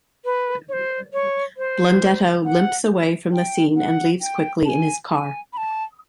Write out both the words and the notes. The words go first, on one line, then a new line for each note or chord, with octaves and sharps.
Blundetto limps away from the scene and leaves quickly in his car.
B4
C#5
C5
C#5
C5
F#5
G5
F#5
G5
A5
G#5
G#5
B5
A5